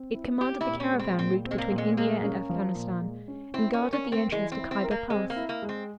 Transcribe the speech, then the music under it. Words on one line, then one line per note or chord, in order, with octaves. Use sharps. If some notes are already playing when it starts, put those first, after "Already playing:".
It commanded the caravan route between India and Afghanistan, and guarded the entrance to Khyber Pass.
Already playing: C4
E4
C4 G4
E4
A#2
C#4
G#3
C4
A#2 C4
C4
G#3
A#3
A#2
G#3
G#3 A#3
C#4
F3
A#2
G#3
C#4
C4 E4
C#4
A#4
C#4
A#3
C4
E3 G#3
C4
E4
C4
A#4
A#3
G#3 C4
A#3
E4
A#3
G#3
C4